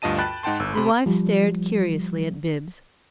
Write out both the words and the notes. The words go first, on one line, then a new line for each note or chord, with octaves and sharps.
The wife stared curiously at Bibbs.
D2 G2 F4 D#5 A5 D#7
G5 A5 B5 F#6 A6
G#2 D#4 F#5 G5 A5 C6
G1 E6
C3 B5 C6
F3 G3